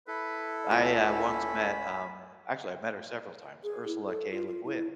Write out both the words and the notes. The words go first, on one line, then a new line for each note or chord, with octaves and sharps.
I, uh, once met, um actually, I've met her several times, Ursula K. Le Guin,
E4 A4 B4
C#2 C#4 B5
G#4
E4
A4
F4
F4
E4